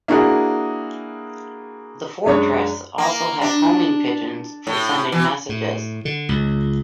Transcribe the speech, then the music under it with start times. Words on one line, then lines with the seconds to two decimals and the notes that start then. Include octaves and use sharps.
The fortress also had homing pigeons for sending messages.
0.08 A#3 D4 E4 F#4 G#4
2.26 F#2 G#3 C#4 D4 C#5
2.98 A#3
3.41 D4
4.67 A2
5.12 E3
5.49 A2
6.05 D3
6.29 C#2